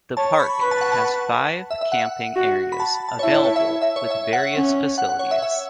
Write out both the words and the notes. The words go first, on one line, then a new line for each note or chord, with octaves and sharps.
The Park has five camping areas available with various facilities.
C#5 A5
C#6
B5
B4 B5
A5
F#5
A5
E5
E5
F#5
F#4
B5
A5
A5
C#5
E4 E5
C#5
C#5
E5
E5
C#5
E5
F#5
C#4
F#5
F#5
C#5
E5
E5